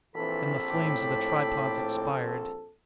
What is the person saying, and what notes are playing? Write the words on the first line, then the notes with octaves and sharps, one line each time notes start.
And the flames of the tripods expired.
A#1 E3 C4 A4 B5
A2 G5 D6